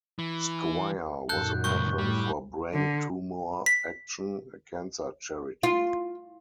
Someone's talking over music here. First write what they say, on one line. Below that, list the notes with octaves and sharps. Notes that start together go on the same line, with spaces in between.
Squire was a patron for Brain Tumour Action, a cancer charity.
E3
F#2 A#2 D#3 A4 F#6 G6
C#2 G2 C#6 G6
A2 G3
D3
B6
F4